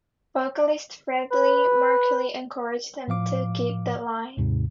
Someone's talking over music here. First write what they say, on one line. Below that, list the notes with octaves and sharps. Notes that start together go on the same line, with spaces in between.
Vocalist Freddie Mercury encouraged him to keep the line.
B4
A2 F3 F5 D6
D#2 G#2 C3